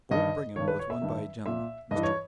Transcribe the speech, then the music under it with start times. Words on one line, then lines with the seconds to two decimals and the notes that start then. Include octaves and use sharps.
Old Brigham was won by a gentleman--Mr.
0.11 G2 D#3 D#5
0.56 D#3 C#5
0.60 G2
0.68 B4
0.79 C#5
0.90 E5
1.02 G2 D#3
1.46 A#2 E5
1.91 G2 E3 D#5
2.03 C#5